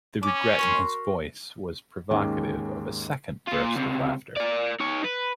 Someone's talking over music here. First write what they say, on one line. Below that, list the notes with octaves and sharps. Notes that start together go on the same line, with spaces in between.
The regret in his voice was provocative of a second burst of laughter.
C#4 D6
F#4 A#4 C6
D#2 G#2 G#3 C#4 D6
A#2 F4
C#2 C3
A#4 D5
D#4 C#5
B4